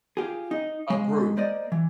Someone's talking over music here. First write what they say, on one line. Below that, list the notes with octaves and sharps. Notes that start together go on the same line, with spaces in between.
A group,
F4 G4 G#4
D#4
G#3
A#3 C5 D5 D#5
E3